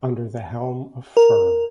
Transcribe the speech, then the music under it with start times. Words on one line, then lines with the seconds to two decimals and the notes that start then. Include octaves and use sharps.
Under the helm of Fr.
1.17 A#4